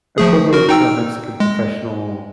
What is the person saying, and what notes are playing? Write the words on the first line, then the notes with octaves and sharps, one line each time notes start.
equivalent to a Mexican professional
F3 A3 G#4
F#4 A#4
D#4 G5 E6
G#3